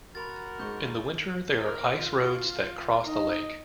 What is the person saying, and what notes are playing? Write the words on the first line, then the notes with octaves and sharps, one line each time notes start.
In the winter, there are ice roads that cross the lake.
F#4 A#4 B5 C6 A6
G#2 G#3 C#6 G6
A#4
F4
D#4 D#5